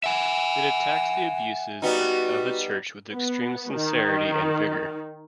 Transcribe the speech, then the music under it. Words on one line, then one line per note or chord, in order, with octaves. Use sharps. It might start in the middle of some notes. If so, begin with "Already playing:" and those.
It attacks the abuses of the Church with extreme sincerity and vigour.
E5 F#5 G#5
G3 B3 D#4 F#4
B3
D#3